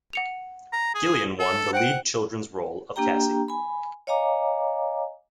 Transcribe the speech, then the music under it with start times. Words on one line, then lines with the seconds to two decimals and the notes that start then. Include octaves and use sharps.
Gillian won the lead children's role of Cassie.
0.13 F#5 C#7 F7
0.72 A#5
0.95 G#4
1.40 A4
1.73 C5 F#5 G5 D7
2.96 A#3 D4 G4 G5 A#5
3.48 G#5 B5
4.07 C#5 D#5 F5 G#5 A#5 D6